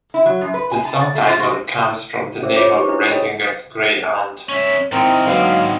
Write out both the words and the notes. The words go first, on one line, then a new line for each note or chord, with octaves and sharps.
The song title comes from the name of a racing greyhound.
E4
F#3
F#2
B4
G#5
A5
D5
A3
F4
F#4
C#4 G#4 A#4 C5 E5 E6
F4 C#5 D6
D#4 E4 G4 A#4 B4 C#6
D4 E4 B4
A4 A#4 C#5 D#5 G5 B5
C#4 C#5 E5
G#2 D#3 C4 E4 A#4
D3 F#3 A#3 B3 F5